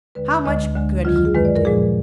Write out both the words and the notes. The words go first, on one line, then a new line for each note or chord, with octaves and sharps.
How much good he would do!
D#2 D3 G#3 B4
D2 D3 G#3 D#5
D2 D3 G#3
F2 D#3 F#3 F4
F4
G#4
F#2 D#3 G#3 B4
D5
A#4
A#2 F3 G#3 G#4